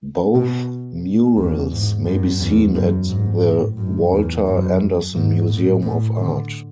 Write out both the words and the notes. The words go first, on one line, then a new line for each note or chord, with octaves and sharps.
Both murals may be seen at the 'Walter Anderson Museum of Art.
B2
E2
G#2
F#2
E2
F#2
G#2
A2
F#2
E2
F#2
G#2
A2
A2
D3